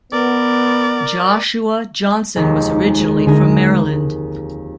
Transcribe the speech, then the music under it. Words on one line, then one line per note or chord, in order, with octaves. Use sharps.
Joshua Johnson was originally from Maryland.
B3 A#4 D5
F1 D#2 G#3
D3 G#4 A#4